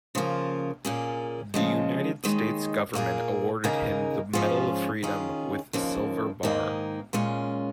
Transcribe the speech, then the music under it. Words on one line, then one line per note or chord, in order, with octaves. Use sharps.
The United States government awarded him the Medal of Freedom with Silver Bar.
C#3 F3 A#3 F4
A#2 A#3 C#4 G#4
C#3 F3 G#3
D#2 D#3 G#3
A#2 A#3 F4 G#4
D#2 C#3 A#3 D#4 G#4
G#2 F3 C#4 F4 G#4
D#3 C#4 F4 G#4
D#2 C#3 F3 A#3
G#2 D#3 A#3 D#4
A#2 G#3 C#4 F4